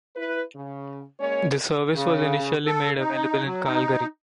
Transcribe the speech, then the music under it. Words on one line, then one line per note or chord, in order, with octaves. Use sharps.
The service was initially made available in Calgary.
E4 B4
C#3
G#3 A#3 C#4 C#5
C#3
A4
D#4
F#3
D#4